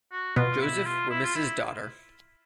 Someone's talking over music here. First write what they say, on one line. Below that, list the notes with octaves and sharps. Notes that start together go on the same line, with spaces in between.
Joseph Wemyss' daughter.
F#4
B2 B3 F4
E4
F4
E4
F4
E4